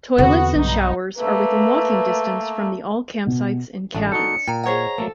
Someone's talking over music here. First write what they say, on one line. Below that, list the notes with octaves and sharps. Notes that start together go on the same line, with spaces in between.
Toilets and showers are within walking distance from the all campsites and cabins.
E2 D3 B3 C4 F#4
B1 G2 D#4
A3 A#3 B4
B2
A1 A3 D4
D#4 F#4 A4 C#7
A#2 G5 A#5
G#4 C5 C#5 D#5 F#5 A#5
F#3 A3 A#3 A4